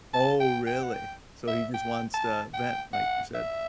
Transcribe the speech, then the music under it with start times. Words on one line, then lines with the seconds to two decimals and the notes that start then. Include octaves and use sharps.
Oh, really? So he just wants to vent, like you said?
0.14 A5
0.40 G5
0.67 G5
0.83 F#5
0.94 G5
1.48 E5
1.74 G5
2.14 A5
2.54 G5
2.93 F#5
3.35 E5